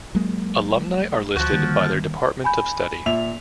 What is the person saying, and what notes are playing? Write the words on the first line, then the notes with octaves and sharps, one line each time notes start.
Alumni are listed by their department of study.
F#3 G#3 A#3
D2 F3 F#4
D3 D#3 G3 A#3
G#5 B5 G6
A#2 E5 F7